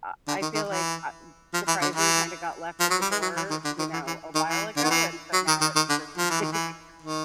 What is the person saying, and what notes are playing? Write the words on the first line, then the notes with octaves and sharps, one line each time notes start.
I I feel like, uh, surprising kinda got left at the door, you know, a while ago, and so now it's just, like,
D3
D#3
D#3
E3
F3
E3
D3
E3
F3
F#3
G3
G#3
F#3
E3
D#3
D3
D#3
E3
E3
D#3
E3
D3
D#3
E3
F#3
D#3
D#3
D#3
D3
F3
E3
D#3
E3
D#3